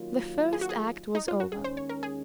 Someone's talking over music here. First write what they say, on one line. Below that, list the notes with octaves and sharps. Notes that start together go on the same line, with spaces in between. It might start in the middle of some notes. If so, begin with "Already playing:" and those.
The first act was over.
Already playing: D#3 F#3 A#3 F4
G#4
F#4
G#4
D#4
F4
F#4
D#2 D#3 G#3 C#4 G#4
C5
C#5
A#4
G#4